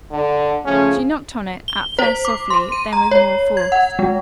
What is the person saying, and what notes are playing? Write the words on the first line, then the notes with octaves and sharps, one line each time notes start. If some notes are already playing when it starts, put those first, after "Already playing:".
She knocked on it, at first softly, then with more force.
D3
C#3 F3 A3 C#4
G7
C5
D6
C6
D#7
A#5
C#5
G#6
F#5
G#3